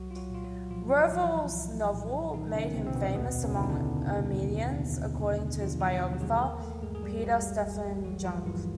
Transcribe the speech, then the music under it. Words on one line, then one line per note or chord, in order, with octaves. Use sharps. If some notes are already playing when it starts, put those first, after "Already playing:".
Werfel's novel made him famous among Armenians, according to his biographer, Peter Stephan Jungk.
Already playing: C2 F#3 F#4
F4
F#3 F#4
A#2 F4
F#3 F#4
A#2 F3 F4
F4
C2 E3 E4
C2
A#2
A#2 D#3 D#4
C#3 C#4
B3
C2 C3 C4
C4
B2 B3
D#2 B2 B3
C#3 C#4
D3 E4
D#4
D3 D4
D3
D#2
D#2
D3
D3 F3 F4
F#3 F#4
D#2
G4
G#3 G#4
B4
E3 A#3 A#4
A3 A4
G2 G#3 G#4
G#4
G3 G4
F#4
G#1 G3 G4
G#1
E3 F#3 F#4
F3 F4
G2 E3 E4